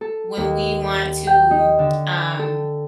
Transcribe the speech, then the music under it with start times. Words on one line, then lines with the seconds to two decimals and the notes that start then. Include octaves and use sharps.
When we want to, um
0.01 A4
0.37 D#2
1.27 G5
1.51 D#4
1.79 D3
2.39 A4